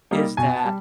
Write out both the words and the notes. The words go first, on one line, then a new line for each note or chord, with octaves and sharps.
is that
G3 A#3 D#4
B2 G#5
A5
G3